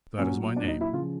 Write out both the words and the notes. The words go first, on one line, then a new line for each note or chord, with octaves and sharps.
"That is my name."
A#2 F#3 C#4
D4
D#4
E4
C#3 F3 F4